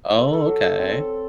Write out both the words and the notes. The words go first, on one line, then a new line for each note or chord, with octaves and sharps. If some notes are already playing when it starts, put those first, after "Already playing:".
Oh, okay.
A4
A4
F#3
A4
C4
A4
A4